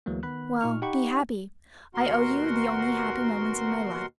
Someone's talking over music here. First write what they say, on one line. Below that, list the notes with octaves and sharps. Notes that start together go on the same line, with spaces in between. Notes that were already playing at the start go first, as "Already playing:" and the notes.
Well, be happy; I owe you the only happy moments in my life.
D2 E3 F#3 G#3 A#3
D#3 B3 B5 F#6
A#2 D#4 C#6 F6
D#4 G4 F#5 G5 B5 C#6
D#2 B2 F#4 A#4 F#5 C6